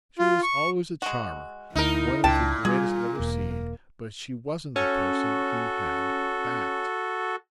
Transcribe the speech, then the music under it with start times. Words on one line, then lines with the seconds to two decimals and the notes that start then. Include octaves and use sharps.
She was always a charmer, one of the greatest ever seen, but she wasn't the person he had "backed."
0.19 F4
0.43 C#6
1.02 G#3 F#4
1.76 D2 D#4 E4 A#4
2.24 C#2 A#2 D4 G5 A5
2.65 G3 F4 G#4
3.20 E1 A#3
4.76 C#4 F#4 A4